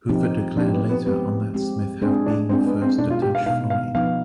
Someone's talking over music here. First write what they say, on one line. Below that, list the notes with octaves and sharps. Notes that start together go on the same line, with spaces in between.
Hoover declared later on that Smith have being the first to touch Floyd.
F3 C4 D#4 G4
F3 C4 D4 D#4 G4
B3
B3
G#3 B3 C4 G4
G#3 C4 G4
G#3 C4 D4 G#4
D4
G#3 C4 D4 G#4
B3
C4
B2 B3 D4 D#4
F4
G4
F5
B2 B3 D#4 F5
F5
F3 B3 D#4 F5